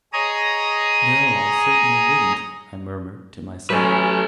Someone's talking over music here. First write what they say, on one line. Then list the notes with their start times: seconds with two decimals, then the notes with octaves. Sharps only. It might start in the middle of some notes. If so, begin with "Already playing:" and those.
"No, I certainly wouldn't," I murmured to myself.
0.13 G#4 C#5 D#5 A#5 D#6
3.70 F#3 A3 C#4 A4 B4